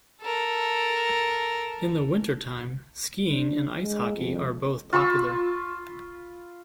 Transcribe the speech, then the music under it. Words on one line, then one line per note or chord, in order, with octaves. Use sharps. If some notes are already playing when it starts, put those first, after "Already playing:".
In the wintertime skiing and ice hockey are both popular.
A4 A#4
D4
G#3
F2
F4 B5 C#6 E6